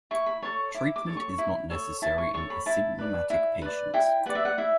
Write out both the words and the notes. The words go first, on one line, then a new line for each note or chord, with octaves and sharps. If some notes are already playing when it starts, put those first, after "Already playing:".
Treatment is not necessary in asymptomatic patients.
E4 C#6
B5
A4 C#5 C#6
E4 D6
D6
A4 C#5
C#6
E4 B5
A4 C#5
E4 A5
C#6
A4 C#5 C#6
B5
E4 A5
B4 D5
E4
B4 D5
E4 G5
B4 D5 F#5
E5
F#5
E4 E5